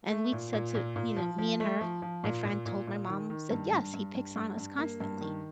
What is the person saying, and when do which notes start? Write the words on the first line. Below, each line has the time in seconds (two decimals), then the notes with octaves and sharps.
And we'd said to, you know, me and her, my friend told my mom, said, "Yes, he picks on us constantly."
0.11 A3
0.32 A#2
0.53 A#2
0.75 A#2
0.96 A#2
1.16 F3
1.38 F3
1.60 A3
1.81 F3
2.02 F3
2.24 A#2
2.45 A#2
2.66 A#2
2.87 A#2
3.09 D#3
3.30 D#3
3.51 G2
3.73 G2
3.94 G2
4.15 G2
4.36 G2
4.58 G2
4.78 A#3
5.00 G2
5.21 D#3